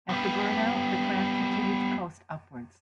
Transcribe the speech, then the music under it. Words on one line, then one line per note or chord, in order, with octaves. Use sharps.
After burn-out the craft continued to coast upwards.
G3 B3